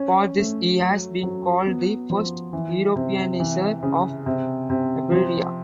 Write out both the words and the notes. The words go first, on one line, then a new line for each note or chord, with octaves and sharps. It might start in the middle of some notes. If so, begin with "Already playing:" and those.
For this he has been called the first Europeaniser of Iberia.
Already playing: C#4
A3
F#3
F#3
B3
F3
E3
C3
E3
C#3
C3
C3
F3